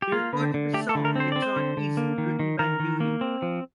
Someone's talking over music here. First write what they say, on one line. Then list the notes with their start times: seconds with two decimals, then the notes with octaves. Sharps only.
They recorded the song "It's Not Easy" written by Muir.
0.02 G4
0.12 A#3 F4
0.33 D3
0.54 D3
0.74 A3 G4
0.89 A4
0.95 D3
1.05 A#4
1.15 C4 C5
1.32 C4 D5
1.42 C5
1.56 D3
1.77 D3
1.97 A#3
2.18 D#3
2.39 D#3
2.59 D#3 A#4
2.80 D#3
3.00 A#3
3.21 C4
3.42 F3